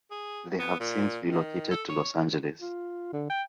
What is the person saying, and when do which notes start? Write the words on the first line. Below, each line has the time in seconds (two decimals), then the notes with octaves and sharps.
They have since relocated to Los Angeles.
0.11 G#4
0.60 B3
0.80 A#2
1.30 D#3
1.71 A4
1.89 C#5
2.62 F4
3.13 D3
3.30 G5